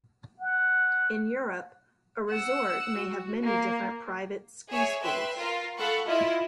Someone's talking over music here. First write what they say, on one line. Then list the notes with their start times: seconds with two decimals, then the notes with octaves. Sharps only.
In Europe, a resort may have many different private ski schools.
0.40 F#5
2.30 F#5 E6
2.97 F#4
3.44 A#3
4.69 G#4 C#5 E5 G#5
5.02 B4 E5 G5 C6
5.39 F4 A#4
5.77 A4 F5 F#5 B5 C#6
6.06 E4 F4 D#5 E5